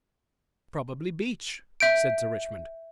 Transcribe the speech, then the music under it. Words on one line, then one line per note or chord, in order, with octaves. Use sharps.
"Probably beech," said Sir Richmond.
E5 G6 D7